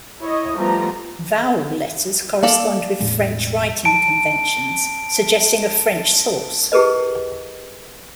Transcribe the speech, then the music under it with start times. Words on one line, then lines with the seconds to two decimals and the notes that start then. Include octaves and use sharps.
Vowel letters correspond with French writing conventions, suggesting a French source.
0.20 E4 C#5 D#5
0.56 F3 G3 A3 B3 A#5
2.43 A#3 A4 D5 F5
3.00 E1 A2 G#3
3.85 A5 D7
6.72 E4 G4 G#4 A#4 B4 D#5